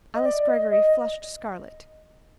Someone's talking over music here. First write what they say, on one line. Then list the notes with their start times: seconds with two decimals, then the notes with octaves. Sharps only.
Alice Greggory flushed scarlet.
0.15 D#5
0.25 D5
0.48 D#5
0.71 D#5